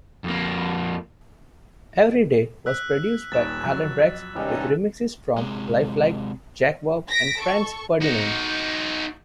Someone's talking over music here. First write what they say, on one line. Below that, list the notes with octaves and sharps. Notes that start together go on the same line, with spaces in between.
"Everyday" was produced by Alan Braxe with remixes from LifeLike, Jakwob, and Franz Ferdinand.
F2 A#3
E6 F#6 B6
D#1 D#2 A6 E7
F2 F#3
E1 G2 C#3 C#4 D#4 G4
C3 G#3
A#6 B6 D7
A4 C#6
D#4 F#4